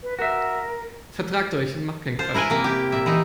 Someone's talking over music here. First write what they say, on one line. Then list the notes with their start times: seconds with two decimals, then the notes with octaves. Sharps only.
Vertragt euch und macht keinen Quatsch.
0.03 B4
0.19 F#4 A#4 E5
2.19 F4 C5
2.34 E4 A#4 B4 G#5
2.50 C3 A#3
2.64 G4
2.92 A#2 E5
3.06 E3 D#4